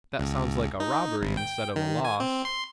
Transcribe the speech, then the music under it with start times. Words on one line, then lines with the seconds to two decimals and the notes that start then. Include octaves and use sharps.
"That sounds like a robbery instead of a loss."
0.19 C#2
0.80 D#4
1.22 G#1
1.37 G5
1.76 D#3
2.05 G#5
2.20 C4
2.45 C6